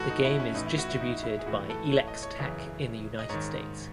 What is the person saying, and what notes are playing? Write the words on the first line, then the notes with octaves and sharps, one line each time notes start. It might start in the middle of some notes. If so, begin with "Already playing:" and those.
The game is distributed by Elex Tech in the United States.
Already playing: A2 E3 F#4 A4
D#4
E4
C#4
A2 E3 D#4
E4
F#4
E4
D#4
E4
G#4
A2 E3 F#4
A4
C#5
D#5
C#5
F#2 C#3 E3
D#5
G#2 D#3 C#5